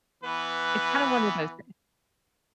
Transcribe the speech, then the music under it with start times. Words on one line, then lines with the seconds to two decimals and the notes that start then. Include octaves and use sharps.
it's kinda one of those thing
0.24 E3 B3 B4